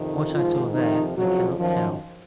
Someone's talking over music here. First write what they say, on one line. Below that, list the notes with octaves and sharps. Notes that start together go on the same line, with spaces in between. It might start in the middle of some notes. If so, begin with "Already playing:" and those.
What I saw there, I cannot tell.
Already playing: F2 C3 D#3
G#2 D#3 F3 F4
F2 C3 D#3 F3 D#4
F2 C#3 F3 F#3
F#2 D#3 F3